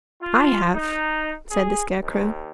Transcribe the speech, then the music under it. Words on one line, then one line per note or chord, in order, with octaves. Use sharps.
"I have," said the Scarecrow.
F4
D#4
G#4
D#2